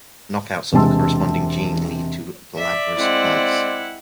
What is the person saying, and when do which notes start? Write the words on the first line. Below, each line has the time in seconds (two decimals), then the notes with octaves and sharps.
Knockouts of the corresponding gene lead to glabrous plants.
0.73 E1 C3 G#3 A5 C6 E6
2.57 D5 E5
2.97 G#3 C4 E4 F#5